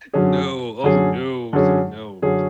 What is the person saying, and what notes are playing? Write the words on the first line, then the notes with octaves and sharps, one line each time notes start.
No, oh no, so no.
F#2 D3 F#3 C#4 G#4
F#2 D3 F#3 C#4 G#4
F#2 D3 F#3 C#4 G#4
F#2 D3 F#3 C#4 G#4